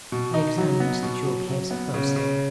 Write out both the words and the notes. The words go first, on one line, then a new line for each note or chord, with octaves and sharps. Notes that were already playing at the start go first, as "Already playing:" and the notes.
I examined the jewel-case closely.
B2
D#4
F#3
B3
B2
F#3
F#3
B3
C#3
C#3